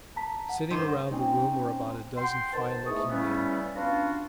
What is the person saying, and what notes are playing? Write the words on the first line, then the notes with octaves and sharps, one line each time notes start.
Sitting around the room were about a dozen fine-looking men.
A5 A#5 B6
F#5
G2 D#3 C5
C4 C#4 D#4
F#5 G5 C6
D#3 B3 C5 A5
E2 G#2 A3 C#6 D#6
C#3 E3 G3 A3 B3 C#4
B3 C#4 D4 F4 F#4 F5